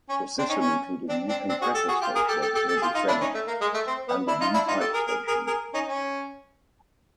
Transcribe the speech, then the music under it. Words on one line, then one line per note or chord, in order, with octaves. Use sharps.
The system included a new compressor station at Bulbuceni, and of new pipe station.
C#4
C4 D4
C#4 D#4
C#4
C4 D4
C4 D4
C4 D4
F#4 G#4
G4 A4
F#4 G#4
F4 G4
G#4 A#4
G4 A4
G4 A4
G4 A4
G4 A4
G#4
F4 G4
D#4 F4
D4 E4
C#4 D#4
A3
A#3
G#3
A3
C4
B3
D4 E4
D#4 F4
D4 E4
D#4 F4
G4 A4
G#4 A#4
G#4 A#4
G#4 A#4
G#4 A#4
C#4 D#4
C#4